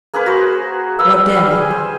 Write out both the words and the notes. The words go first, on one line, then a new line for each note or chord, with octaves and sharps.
What then?
A#3 G#4 A#4 B4
F#4 C5
B4 F5 E6
G3
G#4 G#5
C5